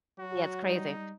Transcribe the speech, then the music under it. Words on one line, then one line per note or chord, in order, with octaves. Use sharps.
Yeah, it's crazy.
F#3 F#4
G3 D#4